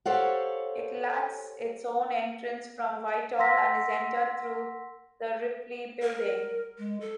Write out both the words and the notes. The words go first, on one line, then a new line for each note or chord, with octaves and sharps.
It lacks its own entrance from Whitehall and is entered through the Ripley Building.
G4 A4 C5 C#5 F5 F#5
F#5 C6 E6 A#6 B6
A#4
G#3
A4